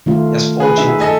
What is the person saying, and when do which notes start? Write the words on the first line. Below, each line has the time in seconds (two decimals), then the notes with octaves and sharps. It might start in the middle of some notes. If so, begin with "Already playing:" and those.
He has four children.
0.06 D#3 A3 F4
0.60 G#4 B4
0.78 D#4 E5
1.00 A4 D#5 G#5